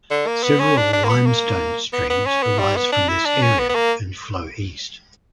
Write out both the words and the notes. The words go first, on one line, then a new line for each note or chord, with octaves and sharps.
Several limestone streams arise from this area and flow east.
D3
A#3
B3
C#4
D4
D4
A#3
B3
A#3
B3
B3
C#4
B3
G3
B3
D4
E4
D4
C#4
B3
B3
A#3